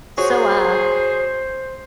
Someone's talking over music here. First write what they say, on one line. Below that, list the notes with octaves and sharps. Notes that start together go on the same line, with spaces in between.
so, uh,
F#4 G#4 C5 C#5 C#6